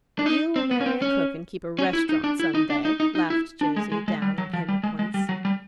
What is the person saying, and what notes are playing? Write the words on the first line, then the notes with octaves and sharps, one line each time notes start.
You will marry a cook and keep a restaurant some day,' laughed Josie, down on him at once.
D4
D#4
C4
B3
C#4
C4
C#4
C#4
E4
D#4
D4
E4
D#4
D4
D#4
D#4
D#4
E4
D4
G#3
G#3
G#3
G3
F#3
F3
G3
G#3
G#3
G3
F#3
G3